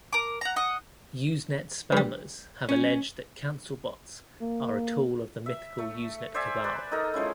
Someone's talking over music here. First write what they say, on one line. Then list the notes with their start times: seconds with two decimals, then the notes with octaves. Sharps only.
Usenet spammers have alleged that cancelbots are a tool of the mythical Usenet cabal.
0.13 A#4 D6
0.41 F#5 A#5
0.56 D#5 F#5
1.92 G2 G3
2.69 C#4
4.41 A#3
5.46 E5
5.78 A3
6.34 C5 D5 E5 G#5
6.64 B4 D5
6.91 D#4 A4 A#4 D#5
7.14 F3 G#3 C#4 E4